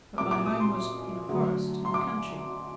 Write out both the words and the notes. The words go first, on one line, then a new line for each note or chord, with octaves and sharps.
But my home was in a forest; in the country.
A#2 G3 A#3 D6
D6
D#6
C6
D3 F#3 A3
C6
D6